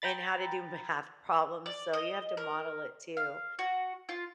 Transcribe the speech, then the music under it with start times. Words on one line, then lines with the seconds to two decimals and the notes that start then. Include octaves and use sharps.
and how to do math problems, so you have to model it too.
0.02 G5 A#5 B5 A6
1.66 D5
1.93 D#5
2.37 A#4
3.17 F5
3.59 F#4
4.09 F4